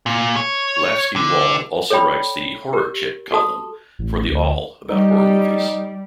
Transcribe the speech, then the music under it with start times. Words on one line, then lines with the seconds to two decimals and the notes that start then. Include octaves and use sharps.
Lafsky Wall also writes the "Horror Chick" column for The Awl about horror movies.
0.06 A#2
0.36 C#5
1.16 D3
1.90 A4 C#5 D5 G5 B5
2.73 G4 A#4
3.32 F#4 A4 A5 D#6
3.99 A1
4.29 D2
4.90 G3 D#4